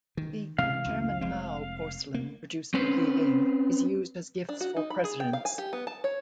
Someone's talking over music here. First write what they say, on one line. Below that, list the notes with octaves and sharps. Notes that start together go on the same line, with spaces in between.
The "Chairman Mao" porcelain produced in Liling is used as gifts for presidents.
D#3
C3 E3 G#3 F5
C#2 F#2 E3
F1 G#3 C4
A#3
C4 C#4 B4 C5
D4
F#4
D#4
B5
G#4
G5
F5
G#5
G4
B3
A5
C#5